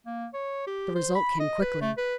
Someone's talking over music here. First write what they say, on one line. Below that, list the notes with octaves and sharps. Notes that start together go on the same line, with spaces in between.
The result came quickly.
A#3
C#5
G4
C5
B5
D#5
B4
A3
B4